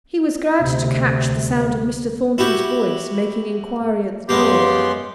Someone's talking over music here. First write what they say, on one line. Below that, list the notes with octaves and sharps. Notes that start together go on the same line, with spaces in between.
He was glad to catch the sound of Mr. Thornton's voice, making enquiry at the door.
D2 C3
E4 F#4 G4
F#2 G#3 A#3 B3 G4 C6